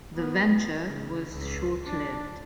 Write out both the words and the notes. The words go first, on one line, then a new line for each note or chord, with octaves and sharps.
The venture was short-lived.
B3
C#3
C#2
D4